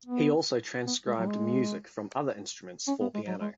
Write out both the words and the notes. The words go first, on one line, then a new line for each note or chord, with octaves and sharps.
He also transcribed music from other instruments for piano.
B3
B3
G#3
F#3
G#3
C#4
B3
G#3
F#3
G#3